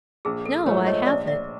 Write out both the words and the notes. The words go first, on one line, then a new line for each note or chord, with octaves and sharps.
"No, I haven't."
A#1 G#4
A4
G#2 F3 A3 B4 C#5
C#5 D#5
A#1 D5 E5
D5 E5